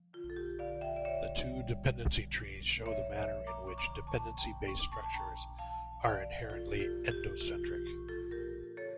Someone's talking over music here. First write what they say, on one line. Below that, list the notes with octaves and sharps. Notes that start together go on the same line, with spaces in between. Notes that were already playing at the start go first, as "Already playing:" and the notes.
The two dependency trees show the manner in which dependency-based structures are inherently endocentric.
Already playing: F3
D3 F4
A4
G4
D3 D5 F5
E5 G5
D5
D3 C#5 E5
G3
D3
D4
F3 C#5 E5
C#5 E5
A3
A#5 D6
C#6
D3 A#5 D6
A5 C#6
F3
G5 A#5
D4 C#6
D6
A5 C#6
A5
D4 G5 A#5
E3 F5 A5
E3 D5 F5
A2 F4 A4
G4
F4 A4
A#3
G4
E3 F4
G4
A2
F4 A4
A3 G4 A#4
C#3 A4 C#5